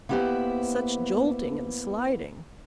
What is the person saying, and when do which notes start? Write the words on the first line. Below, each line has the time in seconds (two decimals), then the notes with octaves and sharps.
Such jolting and sliding!
0.09 A#3 B3 E4 G4 B4 C5